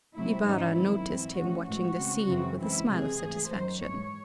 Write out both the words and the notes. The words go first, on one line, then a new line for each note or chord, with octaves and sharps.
Ibarra noticed him watching the scene with a smile of satisfaction.
C3 F#3 A3 C4 E4
G#2 E3 G#3 C#4 D#4
F#2 D#3 G#3 C4 E4
G#2 E3 C4
C3 E3 A3 C#4 F#4
A2 E3 G#3 F#4
C#3 G#3 C4
F#2 C#3 E3 C4
C#3 E3 G#3 C4 E4
C3 E3 G#3 C4 G#4
G#2 E3 A3
F#2 D#3 F#3 C5
G#2 E3 G#3 C#5